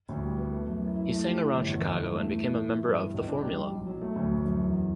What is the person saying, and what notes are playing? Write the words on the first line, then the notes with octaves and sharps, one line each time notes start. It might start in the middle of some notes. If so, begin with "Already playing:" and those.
He sang around Chicago and became a member of The Formula.
D2
G3
B3
A3
F#2
E4
E4
A3
G4
E3
G1
E2
E2
G2
A3
E4
E3
E3
E3
G2
B3
C#2
D4
G3
G3
B1
F#3
A3
D2
F#2
F#2
E2